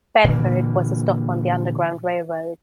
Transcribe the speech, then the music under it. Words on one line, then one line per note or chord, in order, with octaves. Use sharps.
Bedford was a stop on the Underground Railroad.
A#2 D3 E3 A#3